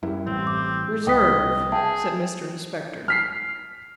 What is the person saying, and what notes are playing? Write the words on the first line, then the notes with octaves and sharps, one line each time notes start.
'Reserve!' said Mr Inspector.
F#2 G3 E4
A1 C4
D6
C2 D#5 G5 D#6 B6
G#4 E5 G5 A5
F6 B6 C7